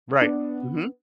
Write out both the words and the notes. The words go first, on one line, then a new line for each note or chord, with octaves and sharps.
Right, mhm.
B3 D4